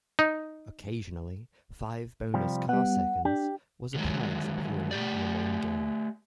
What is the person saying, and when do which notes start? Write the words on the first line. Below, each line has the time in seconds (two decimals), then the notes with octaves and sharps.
Occasionally, "Five Bonus Car Seconds" was a prize appearing in the main game.
0.19 D#4
2.34 C3 F3 G3
2.69 G3 B3 F#5
3.25 D4 G4
3.95 D3 D#3 F#3 G#3
4.91 A3 G4 D5